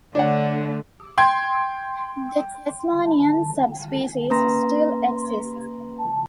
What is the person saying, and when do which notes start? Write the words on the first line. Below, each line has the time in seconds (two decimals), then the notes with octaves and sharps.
The Tasmanian subspecies still exists.
0.15 D3 A3 D4 C#5 F#5
1.18 G5 C6 G#6
4.30 A#3 C#4 B4 A#5 C6 A#6